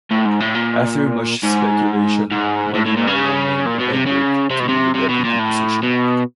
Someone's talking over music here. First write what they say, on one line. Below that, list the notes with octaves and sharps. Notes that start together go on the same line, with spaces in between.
After much speculation Molinaro named Ed Burke to the Deputy position.
A2
G#2
A2
A#2
G#2
G#2
A2
A2
A#2
C#3
A#2
B2
C3
C#3
C3
B2
C3
C3
B2
A#2
A2
B2